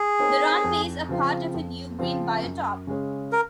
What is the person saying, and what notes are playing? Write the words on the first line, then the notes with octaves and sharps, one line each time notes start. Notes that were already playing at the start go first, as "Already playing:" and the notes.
The runways are part of a new green biotop.
Already playing: G#4
C4 D#4 A#4 C#5
F2
C#3 F3 C4 F4
F2
C#3 F3 C4 F4
F#2
C#3 G#3 C#4
A#4